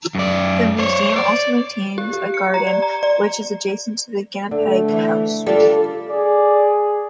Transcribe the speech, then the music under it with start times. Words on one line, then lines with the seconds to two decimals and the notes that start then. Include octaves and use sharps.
The museum also maintains a garden, which is adjacent to the Guinep House.
0.15 F#2 D5
0.79 C5 C#5
1.16 D5
1.98 G4
2.13 G4
2.34 C#7
2.54 A#5
2.67 D5
2.82 A#5
3.03 D5
4.51 D3 A3
4.88 E3
5.46 G3 A#3 D4 F4 A4
6.09 G#4 D5